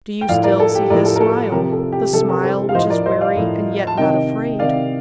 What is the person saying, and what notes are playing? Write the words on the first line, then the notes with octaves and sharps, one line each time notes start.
Do you still see his smile, the smile which is weary and yet not afraid?
G5
A2 F3 D5 F5
A#4 D5
A4
G4
A2 F3 A#4 D5
A4
A#4
A4
C3 F3 G4 A#4
A4
G4
C3 F3 A4
G4 A#4
A4 C5
F5
A2 F3 C5 D#5
A#4 D5
C5 D#5
D5 F5
A2 F3
A5
C3 D#3 D#5 G5
C3 D#3 D5 F5